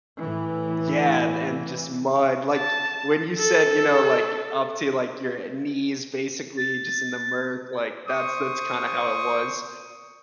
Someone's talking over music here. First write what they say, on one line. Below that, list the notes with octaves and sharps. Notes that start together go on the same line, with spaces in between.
Yeah, and and just mud, like, when you said, you know, like, up to, like, your, uh, knees, basically, just in the murk, like, that's that's kinda how it was.
A2 E3
A5
A4
A6
C5 C#6 D#6